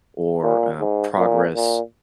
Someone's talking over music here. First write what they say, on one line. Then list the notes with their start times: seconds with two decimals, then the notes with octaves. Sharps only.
or, uh, progress,
0.42 A#2
0.79 G#2
1.17 A#2
1.55 A#2